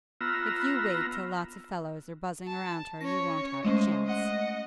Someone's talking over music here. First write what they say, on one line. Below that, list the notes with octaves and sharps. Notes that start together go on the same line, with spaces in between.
If you wait till lots of fellows are buzzing around her you won't have a chance.
B3 F4 A#5 E6
A5
C#4 C#5 A#6
G#3 A3 C#4 C5 D#5
D#5 F#5